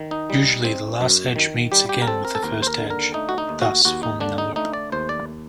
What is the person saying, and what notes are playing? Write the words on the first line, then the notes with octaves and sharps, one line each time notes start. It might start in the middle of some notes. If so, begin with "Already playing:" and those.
Usually the last edge meets again with the first edge, thus forming a loop.
Already playing: D#3
D#4
G3
C4
F#2
D#3
G3 G4
G4
A#4
C4 A4
A#4
A4
D#2 A#4
C5
A#4
D3
A#4
A3 D#4
F#4
D#4
D#2
F#4
D#2 F#4
D#4
D3 D4
D#4
A3 D#4
D5
D#2 C5
D5